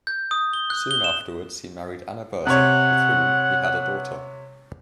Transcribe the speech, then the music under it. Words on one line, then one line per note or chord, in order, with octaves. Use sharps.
Soon afterwards he married Anna Berzin, with whom he had a daughter.
G6
D#6
G7
F#6
G7
E7
C3 C#5 F#5